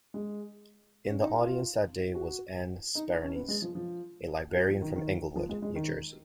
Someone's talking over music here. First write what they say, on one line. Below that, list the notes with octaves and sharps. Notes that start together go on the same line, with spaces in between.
In the audience that day was Ann Sparanese, a librarian from Englewood, New Jersey.
G#3
C#4
D#4
F4
F#4
D#4
D#4
C#4
B3
G#3
F3
F3
F#3
F3
D#3
D#3
F3
G#3
G#3
D#3